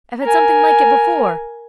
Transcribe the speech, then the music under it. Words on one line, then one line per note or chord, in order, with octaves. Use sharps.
'I've had something like it before.
A#4 G#5